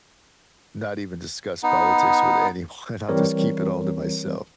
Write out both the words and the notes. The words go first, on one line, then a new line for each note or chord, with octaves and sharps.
not even discuss politics with anyone. I'll just keep it all to myself.
B3 D#4
E3 G3 C4 A#4 C#5